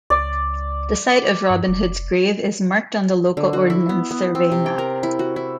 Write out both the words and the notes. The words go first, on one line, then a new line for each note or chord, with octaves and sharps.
The site of Robin Hood's Grave is marked on the local Ordnance Survey map.
C#2 D5
G2
F1
D3
F#4
E4
B3
B3
C4
C3
G5
A#4
E4
F#4
E4